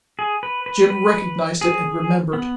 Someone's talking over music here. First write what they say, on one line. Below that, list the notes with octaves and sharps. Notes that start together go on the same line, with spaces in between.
Jim recognized it and remembered.
G#4
B4
B4
B4
G#4
B3